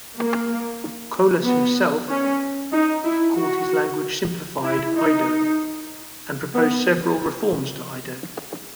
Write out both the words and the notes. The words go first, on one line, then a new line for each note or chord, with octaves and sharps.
Colas himself called his language "simplified Ido" and proposed several reforms to Ido.
A#3
B3
C#4
D#4
E4
F#4
E4
D#4
B3